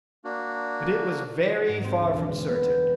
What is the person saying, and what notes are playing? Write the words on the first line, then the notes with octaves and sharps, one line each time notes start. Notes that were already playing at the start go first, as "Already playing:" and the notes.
But it was very far from certain.
A#3 D4 F#4
F#4
G#2
C4
D2
E1
G#3
B3
G6